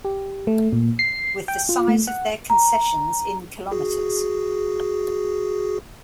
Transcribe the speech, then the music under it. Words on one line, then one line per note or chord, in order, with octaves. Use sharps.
With the size of their concessions in kilometers.
G4
A3
A#2
C7
G5
F4
A3
F#5
A#5
F#4 G#4